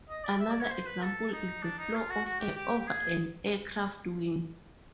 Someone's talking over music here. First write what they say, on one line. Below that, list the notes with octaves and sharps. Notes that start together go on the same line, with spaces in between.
Another example is the flow of air over an aircraft wing.
D#5
D5
E5
D5
C#5
C5
B4
A4
D#4
D4
D#4
F4
F#4
F#4
G4
G4
G4
G#4